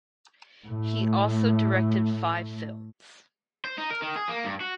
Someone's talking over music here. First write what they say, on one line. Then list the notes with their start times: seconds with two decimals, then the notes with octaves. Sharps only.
He also directed five films.
0.67 A2 A3
3.65 C5
3.78 D#4
3.91 A#4
4.02 D#3
4.16 G#4
4.29 A#3
4.44 G2
4.61 F#4